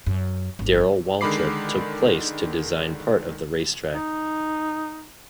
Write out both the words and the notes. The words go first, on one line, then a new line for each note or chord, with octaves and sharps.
Darrell Waltrip took place to design part of the racetrack.
F#2
G1
D3 D#3 G#3 B5 D6 C7
D#4